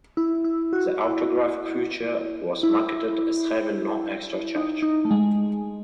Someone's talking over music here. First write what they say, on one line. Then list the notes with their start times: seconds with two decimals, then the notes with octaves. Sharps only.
The autographic feature was marketed as having no extra charge.
0.17 E4
0.44 E4
0.73 F#4
1.00 E4
2.63 E4
4.56 D#4
4.82 D#4
5.05 A3
5.11 G#3